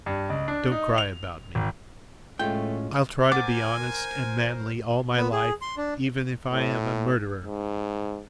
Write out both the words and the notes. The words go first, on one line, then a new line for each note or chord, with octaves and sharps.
Don't cry about me: I'll try to be honest and manly all my life, even if I am a murderer.
G2
C#2
D4
D#4
F7
G#1
A2 G#3 A3 C#4 F4 G5
A#4 C5 F#5 G#5 D6 A6
B3
G#4
C6
D4
A2
G#2